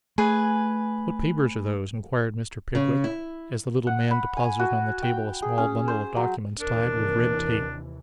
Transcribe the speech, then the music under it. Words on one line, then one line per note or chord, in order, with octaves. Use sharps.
'What papers are those?' inquired Mr. Pickwick, as the little man deposited on the table a small bundle of documents tied with red tape.
A3 G#4 B4 G#5
C#3
E4
F#5
B5
G#5
F#4
G5
G#4
C#4
C5
F#3
D#2 C3 E3 D4 A#4